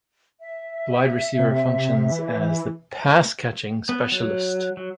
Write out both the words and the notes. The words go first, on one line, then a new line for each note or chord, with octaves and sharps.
The wide receiver functions as the pass-catching specialist.
E5
C3
E3
B3
F#3
F#3